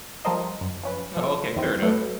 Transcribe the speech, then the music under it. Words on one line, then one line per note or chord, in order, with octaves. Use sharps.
Oh, okay. Fair enough.
F3 G3 A4 A#4 C5 D#5
F#2
F3 C#4 B4
F3 A4
E2 D#3 E3 G3 C4
F#3 A3 A4 B4